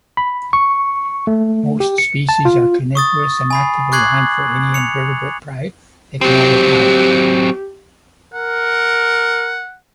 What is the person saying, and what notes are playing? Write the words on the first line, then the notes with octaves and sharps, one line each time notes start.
Most species are carnivorous and actively hunt for any invertebrate prey they can overpower.
B5
C#6
A3
G4
C#7
A5
F4
C#6 D#6 A6
G#5 B5 C7
C#6 D6 F#6 G#6 C7 F#7
C#7 F7
F#3 C4 G4
A#4 F#5